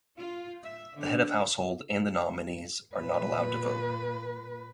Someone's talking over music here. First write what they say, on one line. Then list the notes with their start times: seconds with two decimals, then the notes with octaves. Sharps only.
The Head of Household and the nominees are not allowed to vote.
0.18 F4
0.65 E5
0.99 D3
2.96 A#2 B4